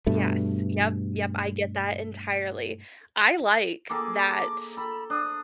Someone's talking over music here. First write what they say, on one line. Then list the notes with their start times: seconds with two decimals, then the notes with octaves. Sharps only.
Yes, yup, yup, I get that entirely. I like that
0.07 G2 B2 A3
3.90 A#3 G#4 A4 D6
4.77 A4 B5
5.10 D4 D#6